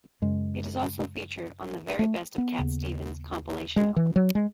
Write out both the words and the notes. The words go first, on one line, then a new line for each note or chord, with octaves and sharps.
It is also featured on "The Very Best of Cat Stevens" compilation album.
F#2 C#3 G#3
A3
B3
D#2 C#3
G#3
E3
F#3
G#3